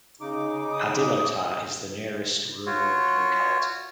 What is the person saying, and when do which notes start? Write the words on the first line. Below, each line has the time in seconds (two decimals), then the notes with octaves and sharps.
Adilotar is the nearest rural locality.
0.21 C#3 D#4 D6
0.71 D#6
2.66 F4 F#4 C#5